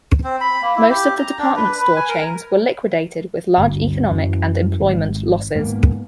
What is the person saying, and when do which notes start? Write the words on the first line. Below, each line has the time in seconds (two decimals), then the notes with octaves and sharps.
Most of the department store chains were liquidated with large economic and employment losses.
0.24 C4
0.41 B5
0.62 A#3
0.76 E4
0.90 G4
1.19 A#5
1.39 D4
1.56 B4
1.80 B4
1.96 G#5
2.09 A#4
3.58 G1 D2
4.08 F#2 E3
4.80 G#1
5.55 G#2 A#3 B3